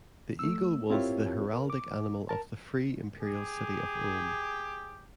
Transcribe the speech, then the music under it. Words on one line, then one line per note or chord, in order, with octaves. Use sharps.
The eagle was the heraldic animal of the Free Imperial City of Ulm.
A3 E6
C4 E4 F4 G4 A#4 C#5
A#4
D6
A#4 A5
G4 G#4